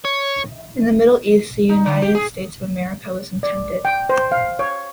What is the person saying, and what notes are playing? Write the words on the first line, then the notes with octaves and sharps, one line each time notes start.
In the Middle East, the United States of America was intended.
C#5
D#4
D3
G4
G#4
D5
G5
C5
F5
C#5